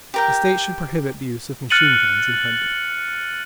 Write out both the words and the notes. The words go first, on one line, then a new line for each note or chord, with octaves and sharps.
The state should prohibit the use of machine guns in hunting.
G4 A#4 G5
F6 F#6 A6 C#7 D#7 F#7